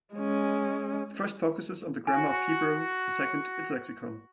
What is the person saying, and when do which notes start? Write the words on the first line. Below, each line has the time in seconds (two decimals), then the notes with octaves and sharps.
The first focuses on the grammar of Hebrew, the second its lexicon.
0.14 G#3 C#4
2.07 F#4 G#5